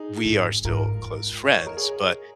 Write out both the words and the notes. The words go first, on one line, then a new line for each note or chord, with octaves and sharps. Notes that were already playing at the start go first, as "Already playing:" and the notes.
we are still close friends, but
Already playing: D#4 G#4
G#2
G#2 F4 A#4
D#5
C#5
A#4
G#4 C#5